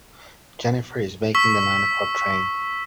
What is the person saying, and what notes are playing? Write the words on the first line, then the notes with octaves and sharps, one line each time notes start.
Jennifer is making the nine o'clock train.
C#6 E6 B6